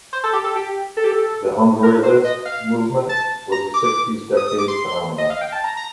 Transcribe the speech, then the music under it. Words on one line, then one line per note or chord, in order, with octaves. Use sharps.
The Hungryalist movement was a sixties decade phenomenon.
C5
A4
G4
A4
G4
A4
G4
A4
A#4
C5
D#5
F5
A5
A#5
D6
D6
D#6
D#6
D6
C6
D#5
F5
G5
A5
A#5
A#5